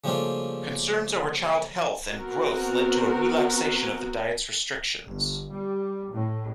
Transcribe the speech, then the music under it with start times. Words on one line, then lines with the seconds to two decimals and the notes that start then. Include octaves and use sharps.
Concerns over child health and growth led to a relaxation of the diet's restrictions.
0.04 C#3 F3 G3 A3 A#3 F4
2.09 B3 C4 F#4 A#4
5.06 G1
5.51 G3
6.11 A2